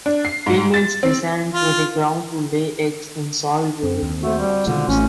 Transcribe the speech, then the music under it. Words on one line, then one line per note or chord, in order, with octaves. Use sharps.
Females descend to the ground to lay eggs in soil during the monsoons.
D4
C7
G#2
A6
C4
F4
F#2 C4
D#2
A3 F#4 C5
G3
B2 D3 D#3 G#3 F4
A1 C#4